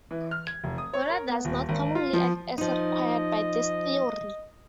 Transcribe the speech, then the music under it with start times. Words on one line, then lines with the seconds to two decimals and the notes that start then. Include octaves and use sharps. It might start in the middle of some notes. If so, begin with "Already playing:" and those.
Water does not commonly act as required by this theory.
0.11 E3
0.31 F6
0.47 G#6
0.64 F1
0.78 D#6
0.94 C#5
1.10 A#4
1.29 B3
1.45 D#1
1.69 G#1
1.95 F4
2.13 F3
2.58 F3 D#4 D#5